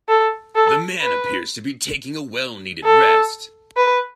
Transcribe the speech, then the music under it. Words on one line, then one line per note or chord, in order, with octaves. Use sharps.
The man appears to be taking a well needed rest.
A4
A4
B4
A4
B4